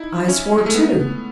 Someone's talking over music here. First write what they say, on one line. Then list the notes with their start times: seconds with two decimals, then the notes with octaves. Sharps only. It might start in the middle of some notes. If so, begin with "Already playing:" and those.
I swore too.
Already playing: D#4 E4
0.28 C#4
0.58 G#3
0.66 A3
0.75 B3